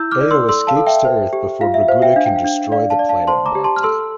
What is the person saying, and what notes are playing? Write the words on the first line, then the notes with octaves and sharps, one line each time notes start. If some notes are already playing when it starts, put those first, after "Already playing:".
Aio escapes to Earth before Braguda can destroy the planet Marte.
Already playing: E4 E6 G6
D6 F6
D5
C6 E6
A4 C6 E6
F5 A5
A4
E5 G5
C5
G4
F4 F5
E5
C5 F5
E5 G5
D4 F5
G5
F5
D4
D5 F5
F5 A5
D5
F5 A5
C5 A5 C6
A#5 D6
G4
A5 C6
F6
A4 C6 E6